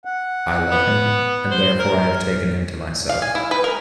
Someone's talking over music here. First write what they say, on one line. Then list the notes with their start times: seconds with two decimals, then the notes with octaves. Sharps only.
I love him, and therefore I have taken him to myself.
0.05 F#5
0.70 B3
1.51 C5
1.79 A#4
3.09 F5
3.22 G#5
3.35 E4
3.51 B4
3.64 A#4